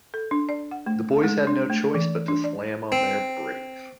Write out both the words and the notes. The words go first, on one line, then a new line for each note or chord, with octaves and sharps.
The boys had no choice but to slam on their brakes.
A4
D4
D5
F#5
A3
G#3
D4
A3
E3
D4
D5
C4